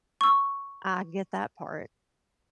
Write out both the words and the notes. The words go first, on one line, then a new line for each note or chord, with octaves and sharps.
I get that part.
C#6 E6